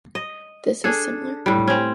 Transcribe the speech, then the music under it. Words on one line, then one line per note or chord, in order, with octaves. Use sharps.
This is similar.
D#5
D4 G#4 A4
A2 G3
C4 C#4